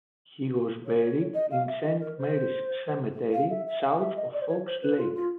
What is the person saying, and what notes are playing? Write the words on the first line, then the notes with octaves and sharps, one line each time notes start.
He was buried in Saint Mary's Cemetery south of Fox Lake.
C#5
D#5
F5
E5
D#5
A#4
C5
F5
E5
E5
F5
E5
D#5
D5
C5
C#5
C5
B4
F4
F4